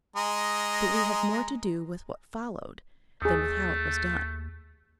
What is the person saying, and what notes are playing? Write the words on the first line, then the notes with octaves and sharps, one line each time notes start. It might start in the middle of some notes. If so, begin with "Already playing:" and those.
But we have more to do with what followed than with how it was done.
G#3 D#5 A#5
D#2 A3 G#4 D#6